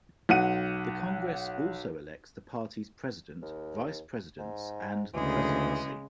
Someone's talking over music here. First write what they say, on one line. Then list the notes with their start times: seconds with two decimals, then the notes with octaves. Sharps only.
The Congress also elects the party's President, Vice Presidents and the "Presidency".
0.29 B1 F#5 D#7
3.42 D#2
4.39 G#2
5.14 D2 C#3 E3 G#3